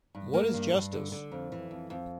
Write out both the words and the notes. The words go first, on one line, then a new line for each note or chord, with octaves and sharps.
What is justice?
G2
A#3
G2
G2
D3
D3
F2
E3
F2
F2